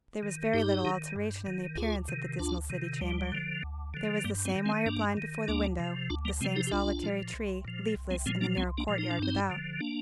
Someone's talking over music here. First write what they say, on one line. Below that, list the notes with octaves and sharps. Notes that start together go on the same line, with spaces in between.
There was very little alteration in the appearance of the dismal city chamber. There was the same wire-blind before the window, the same solitary tree, leafless, in the narrow courtyard without.
D#3
G2 D#4 G4
D#3
G2
D#3
D2 F4 G#4
C3 D#3
D2 D4 F4
C3 D#3
D2 G3
D3 F3
D2
D3 F3
G2 G3 A#3
G#3 C4
D#3
G#3 C4
G2 A#3 D4
D#3
D2 A#3 D4
C3 F3
D2 D4 F4
G3 A#3
C3 F3 G#3 C4
D#4 G4
G4
C2 D4 F4
A#2 F3
C2
A#2 F3
C2
G#3 C4
A#2 F3 G#3 C4
A#3 D4
C2 G#3 C4
A#3 D4
A#2 F3
D#4
D4
G2 C4 D#4
D3 F3
A#3 D4